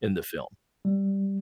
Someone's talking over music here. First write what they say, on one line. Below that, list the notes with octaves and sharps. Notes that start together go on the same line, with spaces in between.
in the film.
G3